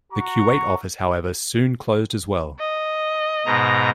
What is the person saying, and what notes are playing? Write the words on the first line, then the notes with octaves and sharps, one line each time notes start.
The Kuwait office however soon closed as well.
F#4 A#5 C#6
D#5
G#2 B2 A#5